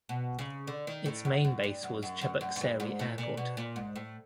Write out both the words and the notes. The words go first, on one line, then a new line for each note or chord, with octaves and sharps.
Its main base was Cheboksary Airport.
B2
C#3
D3
D#3
A2
F#2
F#2
G2
F#2
F#2
F#2
F#2
F#2
G2
G#2
A2
A#2
B2
A#2
G#2
A2